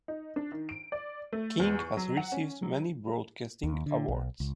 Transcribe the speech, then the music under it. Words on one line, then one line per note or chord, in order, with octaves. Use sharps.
King has received many broadcasting awards.
D#4
D4
D#3
D7
D5
A3
E2
C#6
F#3
F#5
C#4
F#3
D#2
D3
B1
C#2